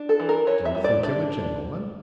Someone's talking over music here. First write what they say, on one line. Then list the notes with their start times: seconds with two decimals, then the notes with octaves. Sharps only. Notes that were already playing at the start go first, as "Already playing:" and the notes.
"Do you think him a gentleman?"
Already playing: D4
0.09 A4
0.20 E3
0.29 A#4
0.47 E3 C#5
0.65 E5
0.75 G3
0.84 D5
1.03 D4 D5